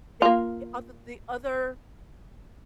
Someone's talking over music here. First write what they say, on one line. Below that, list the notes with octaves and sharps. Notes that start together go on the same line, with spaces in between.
They'll g other The other
A#3 F4